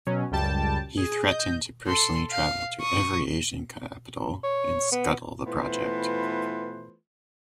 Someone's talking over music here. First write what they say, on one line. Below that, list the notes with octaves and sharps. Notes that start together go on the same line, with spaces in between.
He threatened to personally travel to every Asian capital and scuttle the project.
B2 F#3 C#4
C#2 F#2 G3 G5 A5
G#4
D#5 G6
A4 C6
F5
C#6 D#6
C#5
B3
E3 A3 B3 F4 B4 C5